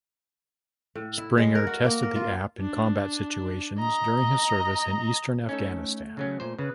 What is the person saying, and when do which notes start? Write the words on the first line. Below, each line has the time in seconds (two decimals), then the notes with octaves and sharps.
Springer tested the app in combat situations during his service in eastern Afghanistan.
0.95 A2
1.18 E4
1.38 G#3
1.55 A#4
1.67 F#4
1.84 A#3
2.03 A#4
2.15 F4
2.60 D4
3.79 D#5 A#5
5.49 A3 C#4 D#4 A4
6.17 C#3 F#3 C#4
6.40 A#2 C5
6.59 C#3 B4